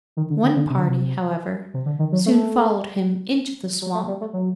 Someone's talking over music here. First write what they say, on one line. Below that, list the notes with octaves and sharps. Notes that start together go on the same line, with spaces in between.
One party, however, soon followed him into the swamp.
D#3
D3
D3
D3
C3
D3
C3
C3
D3
D#3
F#3
A3
F#3
A3
G3
A3
F#3